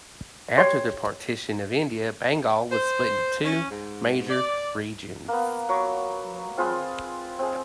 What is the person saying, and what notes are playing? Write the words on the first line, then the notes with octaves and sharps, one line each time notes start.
After the partition of India, Bengal was split into two major regions.
G4 C#5 C6
C5
C#4
G#2
D5
A#3 B3
F#3 C#6 D6
C4 F4 G#4 B4
C4 G#4